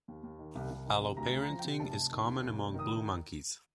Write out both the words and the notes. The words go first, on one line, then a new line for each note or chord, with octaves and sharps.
Alloparenting is common among blue monkeys.
D#2
D#2
D#3
C2
C2
D#3
C3
D2 A#5
D2
A#5
F3
G5
C3
F1 A5
F1
D#3
D#2
F1
F1
D#3 D#6